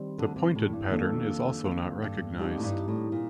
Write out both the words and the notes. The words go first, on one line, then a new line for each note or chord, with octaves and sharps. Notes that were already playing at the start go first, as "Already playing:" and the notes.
The pointed pattern is also not recognized.
Already playing: D#3 G3 C4
D2 D3
C3
A2
G2
F2 D#3 A#3 D4 A4
F2
G2
F2 G3 C4 D#4 G4
A2
G2
A2
A#2